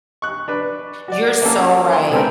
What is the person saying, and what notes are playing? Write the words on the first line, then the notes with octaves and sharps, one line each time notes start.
you're so right.
C#6 F#6
D4 B4
F#4 D5
A#3 C#4 A4
C6
C3 G#3 B3 A4 A#4 G5